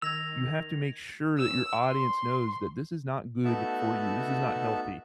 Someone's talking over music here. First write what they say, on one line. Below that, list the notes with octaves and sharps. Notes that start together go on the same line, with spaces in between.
you have to make sure that your audience knows that this is not good for you, this is not healthy.
D#3 E6 G#6 A#6 F7
E6
C6
A3 B3 D#4 F#4 E5 A5